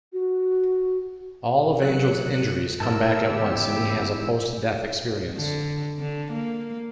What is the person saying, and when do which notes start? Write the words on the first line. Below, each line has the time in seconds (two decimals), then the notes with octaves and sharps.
All of Angel's injuries come back at once and he has a post-death experience.
0.13 F#4
1.82 F#3 F#6 C#7
2.80 G#2 E4 A#4 A5 E6
3.30 C#3 E3 B3 G4
5.36 D3
5.99 D3
6.33 A#3